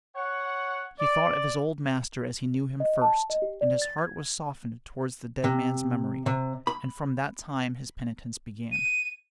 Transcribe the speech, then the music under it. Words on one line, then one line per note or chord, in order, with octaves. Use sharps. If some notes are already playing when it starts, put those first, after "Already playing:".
He thought of his old master as he knew him first, and his heart was softened towards the dead man's memory; and from that time his penitence began.
C#5 F#5
D5
D#5
A5
D#5
G4
D5
A6
G#6
C3
C3
B5
D#7